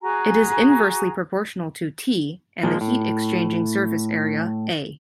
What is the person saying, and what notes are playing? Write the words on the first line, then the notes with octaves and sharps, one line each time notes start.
It is inversely proportional to "T" and the heat-exchanging surface area "A".
F#4 G#4 G#5 A#5
A#2 F3 G#3 A#3
A2